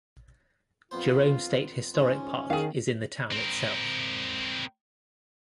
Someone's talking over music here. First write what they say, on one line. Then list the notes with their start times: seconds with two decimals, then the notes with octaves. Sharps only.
Jerome State Historic Park is in the town itself.
0.91 F2 B3 F4 C5
1.94 G#2 F3 C#4
2.50 D#3 G#4 F5
3.32 C4 A#4